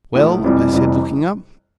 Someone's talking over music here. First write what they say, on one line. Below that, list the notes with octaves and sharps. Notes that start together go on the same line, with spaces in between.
"Well?" I said, looking up.
A#1 A2 F3 A3
F1 F2 C3 E3 G3
F1 F2 C3 E3 G3